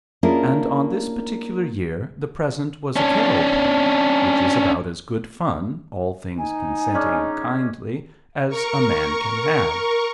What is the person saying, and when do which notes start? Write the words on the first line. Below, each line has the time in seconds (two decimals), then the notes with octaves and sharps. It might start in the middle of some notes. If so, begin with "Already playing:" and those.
And on this particular year the present was a Carol party,--which is about as good fun, all things consenting kindly, as a man can have.
0.23 A#3 C#4 D4 E4 F4 G#4
2.96 C#4 D4
6.38 D#4 G#5
6.94 G#3 C#4 D4
8.49 A#4 C#6